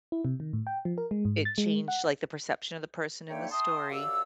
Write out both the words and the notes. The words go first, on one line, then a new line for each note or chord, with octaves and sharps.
It changed, like, the perception of the person in the story,
E4
C3
D#3
A2
G5
F3
A#4
G#3
G#2
A6
G#3
F#5
D3 A#3 D#4 C#5 E5 G5
E5 G5 A5 C6 D#6
F#2 G4 D5 F5 E6